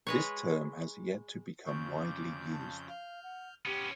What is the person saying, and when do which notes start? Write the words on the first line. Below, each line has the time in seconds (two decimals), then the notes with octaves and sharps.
This term has yet to become widely used.
0.07 G#3 B4 C#5
1.66 F2 C#3 C#6 G6
2.02 D6
2.53 A5
2.89 F5 F6 G6
3.23 F#5
3.66 B3 C#4 G4 C6 D6